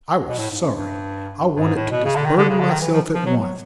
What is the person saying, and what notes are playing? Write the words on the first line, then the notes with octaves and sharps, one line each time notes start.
I was sorry; I wanted to disburden myself at once.
B2
A2
G#2
F#2
G2
G2
G#2
A2
B2
C#3
D3
D#3
D3
C#3
D3
D#3
E3
F3
F3
F#3
F#3